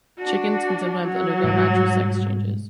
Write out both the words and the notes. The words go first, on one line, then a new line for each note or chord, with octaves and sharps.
Chickens can sometimes undergo natural sex changes.
D4 F#4
F#3
G#2 B2 G3